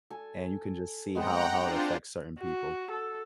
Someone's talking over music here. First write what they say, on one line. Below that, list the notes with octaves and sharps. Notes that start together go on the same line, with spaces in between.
and you can just see how how it affects certain people.
A4 G#5
G#3 B3 C4 F#5 G5 A#5
D4 F4 C5
F#4
A4